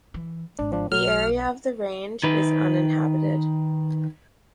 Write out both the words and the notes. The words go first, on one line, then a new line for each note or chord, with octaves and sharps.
The area of the range is uninhabited.
E3
G#1 D4
F3 D4
B1 F#3 F6
D#3 B4